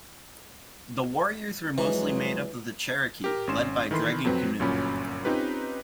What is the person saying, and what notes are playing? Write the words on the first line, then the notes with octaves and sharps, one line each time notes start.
The warriors were mostly made up of the Cherokee, led by Dragging Canoe.
F2 E3 F#3 G#3
G4 A#4
G#1 C#4 C6 E7
D#3 E3 A4 B5 C6
F2 F#3 C4 B4
G1 F#2 A#2 F#3 C#4 B5
C4 C#4 D#4 F4 G4 B4